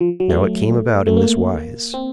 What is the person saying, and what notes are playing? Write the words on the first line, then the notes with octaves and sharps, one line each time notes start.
Now it came about in this wise.
F3
F#3
A3
A3
A#3
C4